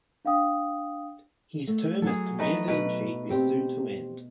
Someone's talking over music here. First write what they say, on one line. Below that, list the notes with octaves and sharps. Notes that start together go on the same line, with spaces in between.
His term as Commander In Chief is soon to end.
D4 F5 G5 D#6
A3
F#3 G#4 A4
A3 D#4 B4
B2 B4
C4 G4 C5